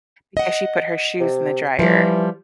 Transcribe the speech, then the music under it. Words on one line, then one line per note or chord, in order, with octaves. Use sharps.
because she put her shoes in the dryer.
D#5 F#5
C3
E3 F3 G3